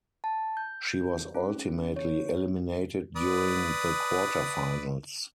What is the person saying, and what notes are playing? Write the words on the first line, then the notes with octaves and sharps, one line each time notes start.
She was ultimately eliminated during the Quarterfinals.
A5
G6
C#4
C#5
B4 D5 D#6